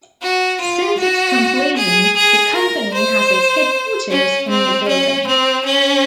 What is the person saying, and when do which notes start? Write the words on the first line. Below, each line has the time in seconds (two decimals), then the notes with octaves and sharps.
Since its completion, the company has its headquarters in the building.
0.22 F#4
0.61 F4
1.00 F#4
1.77 G#4
2.16 G#4
2.55 A#4
2.94 C5
4.10 C#4
4.49 C4
4.88 C#4
5.26 C4
5.65 C#4